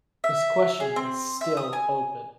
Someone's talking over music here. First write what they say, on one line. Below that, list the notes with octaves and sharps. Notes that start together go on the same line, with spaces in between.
This question is still open.
E5
G#4
C4
E5
D#6
G#5